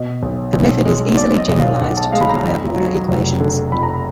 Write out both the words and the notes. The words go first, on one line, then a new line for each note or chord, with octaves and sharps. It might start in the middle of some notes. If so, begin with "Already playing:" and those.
The method is easily generalized to higher order equations.
Already playing: B2 D#5
B1
B1
G#3
B2 D5
D#5
B1
F5
B1 F#5
A5
G#3 F5
B5
A#5
F2
F#3
F1
D3
F2 B5
A#5
B5